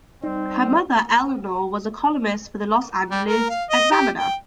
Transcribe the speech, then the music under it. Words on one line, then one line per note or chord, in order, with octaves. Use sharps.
Her mother, Eleanore, was a columnist for the Los Angeles Examiner.
G3 C4 D#4
G3
A#4
F5
D#5
G4
G5